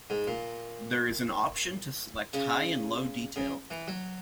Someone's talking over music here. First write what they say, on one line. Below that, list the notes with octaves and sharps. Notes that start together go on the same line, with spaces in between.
There is an option to select high and low detail.
G#2
A#2
C#3
C#3
E3
F#3